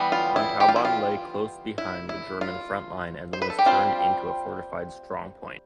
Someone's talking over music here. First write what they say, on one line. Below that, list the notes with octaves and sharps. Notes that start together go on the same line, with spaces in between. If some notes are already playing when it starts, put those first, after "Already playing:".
Montauban lay close behind the German front-line and was turned into a fortified strongpoint.
Already playing: E3 G3 B3
F4
E4
G4
F4
E4
F4
E4
E4
F4
C5
B4
A4
G4
G3 C4 F4